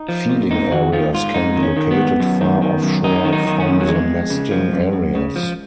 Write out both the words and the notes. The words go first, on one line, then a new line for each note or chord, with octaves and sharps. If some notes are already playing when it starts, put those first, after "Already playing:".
Feeding areas can be located far offshore from the nesting areas.
Already playing: D#4
F3
A#2
G#2 D#4
D#3 F#4
D#3 F4
G#2 F4
G#2 D#4
D#3
C#4
D#3
B3
G#2
F#2
D#3
D#3
F#2
F#2 D#4
D#3
D#4
D#3
C#4
F#2
F#3
F2 G#3
F2
C#3
F3
F#2
F#2
C#3
F3